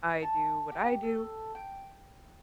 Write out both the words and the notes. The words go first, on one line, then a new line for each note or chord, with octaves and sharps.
I do what I do.
A5
G4
A4
G5